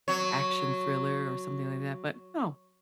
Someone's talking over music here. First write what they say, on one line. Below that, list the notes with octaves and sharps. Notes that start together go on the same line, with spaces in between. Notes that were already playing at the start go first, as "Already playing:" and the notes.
action thriller or something like that. But, oh.
F#3 C#5